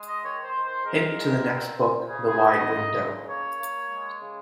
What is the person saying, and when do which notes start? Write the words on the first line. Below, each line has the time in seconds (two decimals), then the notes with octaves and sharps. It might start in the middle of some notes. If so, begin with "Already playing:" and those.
Hint to the next book The Wide Window.
Already playing: G#3
0.08 D#5
0.23 D#3 C#5
0.44 C5
0.54 D#3
0.64 C5
0.84 G#3 A#4
1.15 A#2
1.45 C4
1.76 C3
2.07 C#3 G#4
2.27 G#4
2.38 D#4
2.48 D#5
2.68 A#3
2.98 C#3
3.28 A#3 C#5
3.59 A#3
3.89 G#3
4.21 C#3